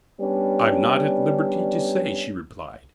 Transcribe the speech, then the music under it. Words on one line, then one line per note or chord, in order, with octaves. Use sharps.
"I'm not at liberty to say," she replied.
G3 B3 C#4 D4